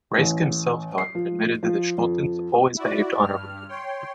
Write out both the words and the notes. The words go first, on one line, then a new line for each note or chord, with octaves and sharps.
Reiske himself, however, admitted that Schultens always behaved honourably to him.
A1
C7
F3
F3
F2
E4 F#4 D5
G2 F6
C#5 G5 C6